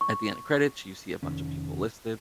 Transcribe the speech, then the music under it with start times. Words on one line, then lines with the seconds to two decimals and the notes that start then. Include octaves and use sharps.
at the end credits, you see a bunch of people listed,
0.01 C#6
1.23 F1 D#3 C#4